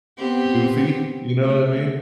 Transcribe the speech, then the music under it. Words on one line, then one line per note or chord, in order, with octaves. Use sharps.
goofy, you know what I mean?
B3 C4 G4
A3